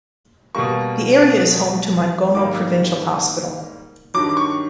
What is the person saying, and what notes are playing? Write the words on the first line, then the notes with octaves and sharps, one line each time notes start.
The area is home to Mongomo Provincial Hospital.
B2 G3 A#3 C#6
G#2 D#3 G3 A#3 D6
G2 D#3 F#3 D6
D6
C#6